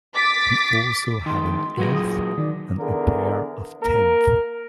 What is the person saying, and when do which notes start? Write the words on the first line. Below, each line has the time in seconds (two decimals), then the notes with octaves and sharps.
He also had an eighth and a pair of tenths.
0.15 D6 A6 B6
1.26 G2 D#3 C6
1.78 A#2 F#3 F#4 G#4 B4 A#6
1.95 D#6
2.38 D#3 D5
2.78 E2 D3 G#4 A#4
3.81 A#3 A#4